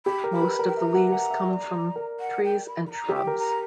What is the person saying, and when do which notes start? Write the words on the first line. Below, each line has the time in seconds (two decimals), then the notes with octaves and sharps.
Most of the leaves come from trees and shrubs.
0.06 G4 B5
0.24 A#4
0.33 B5
0.41 B4
0.59 A#4
0.68 G5
0.77 E5 A#5
0.95 F#5
1.12 F#5
1.30 E5
1.49 D5
1.96 A#4
2.20 F#5
2.44 G5
2.67 B5
2.87 B5
2.91 A#5
3.09 G4
3.15 G5
3.27 A#4
3.39 A#5